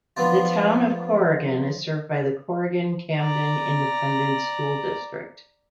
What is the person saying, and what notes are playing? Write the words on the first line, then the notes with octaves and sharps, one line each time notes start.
The Town of Corrigan is served by the Corrigan-Camden Independent School District.
F3 B3 D4 F4
D5 A#5